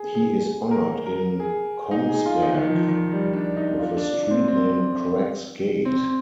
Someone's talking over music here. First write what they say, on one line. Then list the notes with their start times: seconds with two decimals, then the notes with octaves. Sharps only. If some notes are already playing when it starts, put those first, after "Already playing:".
He is honored in Kongsberg with a street named Krags gate.
Already playing: G#4
0.15 G#4
0.71 A#4
1.06 A#4
1.40 G#4
1.91 D#4
2.09 G#4
2.26 F4
2.43 D#4
2.54 D#3
2.65 F3
2.88 D#3
3.12 G3
3.33 D4
3.57 D#4
3.79 F4
3.97 D4
4.13 D4
4.31 C4
4.48 C4
5.85 C4